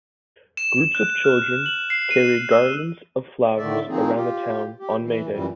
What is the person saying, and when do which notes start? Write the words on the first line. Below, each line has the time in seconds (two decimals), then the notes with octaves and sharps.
Groups of children carry garlands of flowers about the town on May Day.
0.57 E7
0.95 F#6
1.24 F6
1.66 F#7
1.90 C7
2.11 D#7
2.51 E6
3.57 A2 D3 D#3 A3 D5 E5
3.88 D#3 F3 A#3 C4 D#4 G#4
4.13 F4 G4
4.79 G4
5.01 E3
5.30 F#2 A#2 E3 G3